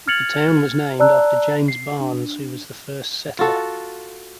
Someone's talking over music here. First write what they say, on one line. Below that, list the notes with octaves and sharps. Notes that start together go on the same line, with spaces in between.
The town was named after James Barnes, who was the first settler.
F6 G#6 A6 C#7 F7 F#7
D5 A5 A#5 E6 F#6
C7
D4
F4 F#4 A4